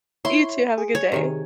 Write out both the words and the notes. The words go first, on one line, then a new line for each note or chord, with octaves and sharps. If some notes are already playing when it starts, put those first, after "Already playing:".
You too, have a good day.
E4 C#5 C6
G#4
C#5
C3 D#3 G#5